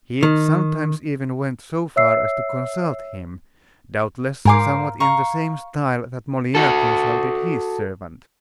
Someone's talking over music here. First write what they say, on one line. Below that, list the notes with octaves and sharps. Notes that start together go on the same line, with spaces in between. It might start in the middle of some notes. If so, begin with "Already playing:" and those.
He sometimes even went so far as to consult him, doubtless somewhat in the same style that Moliere consulted his servant.
D#3
C#5 E5 E6 C7
G#2 A#4 C5 F5 G#5 D6
F5 A#5 C#6
F#4 A4